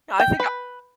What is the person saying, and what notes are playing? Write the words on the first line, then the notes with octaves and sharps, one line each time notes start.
Yeah, I think I
G5
B4